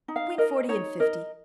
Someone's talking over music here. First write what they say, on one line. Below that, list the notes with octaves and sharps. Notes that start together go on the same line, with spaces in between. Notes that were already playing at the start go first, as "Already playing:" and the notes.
"Between forty and fifty."
D#4
F5
A#4 D#5
D#4 C#5
A#4 D#5